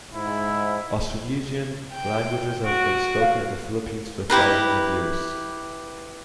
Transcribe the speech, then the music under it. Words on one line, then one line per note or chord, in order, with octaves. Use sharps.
Austronesian languages have been spoken in the Philippines for thousands of years.
G#2 E4
G5
F#4 D7
F5
E4 G4 B4 A#5